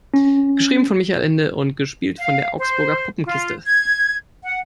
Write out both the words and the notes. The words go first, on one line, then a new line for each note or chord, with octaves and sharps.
Geschrieben von Michael Ende und gespielt von der Augsburger Puppenkiste.
C#4
F5
C5
F4
G#6
F#5